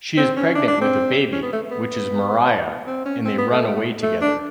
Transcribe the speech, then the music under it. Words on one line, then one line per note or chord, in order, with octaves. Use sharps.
She's pregnant with a baby, which is Mariah, and they run away together.
C4
C#4
D4
D4
C4
C#4
B3
A3
B3
C4
C#4
C4
B3
A3
A3
D4